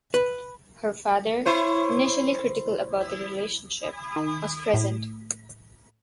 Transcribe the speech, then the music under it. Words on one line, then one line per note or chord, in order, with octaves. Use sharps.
Her father, initially critical about their relationship, was present.
B4
E4 C5 C#5
D#3
A2